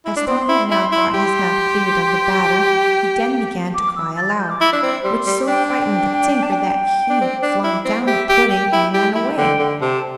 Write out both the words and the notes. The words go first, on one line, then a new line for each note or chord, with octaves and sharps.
As Tom had now got his mouth cleared of the batter, he then began to cry aloud, which so frightened the tinker that he flung down the pudding and ran away.
E4
D4
C4 C6
E4
E4
E4
G4
D6
E6
A6
G6
D6
E4 E6
D4
C4
G3 C6
G3
D4 G5
G5
G5
G5
G5
A5
G5
D4
C4
D4
E4
C4
G4 E5
G4
G4 G5
E4
G4
E4
D3 G5
D3
C3 A5